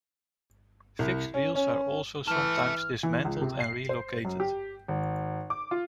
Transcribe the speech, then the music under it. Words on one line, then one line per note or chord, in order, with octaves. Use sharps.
Fixed wheels are also sometimes dismantled and relocated.
C2
C#4
C#4
E3 E5 A5 F6
E3
C#2
C3
C7
C5
F#2
G4
G#1
D6
F4